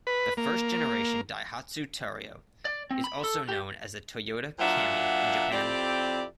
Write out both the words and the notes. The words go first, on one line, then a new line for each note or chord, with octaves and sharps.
The first-generation Daihatsu Terios is also known as the Toyota Cami in Japan.
B4
A#3
D5
C4
B5
A4
G4
A#2 F#3 D4 F4 E5 F#5
F2 C4 E4 G4 D5